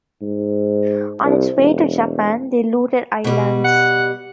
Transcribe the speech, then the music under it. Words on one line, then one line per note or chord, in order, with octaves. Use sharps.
On its way to Japan, they looted islands.
G#2
C2
E1
B2 G3
F#5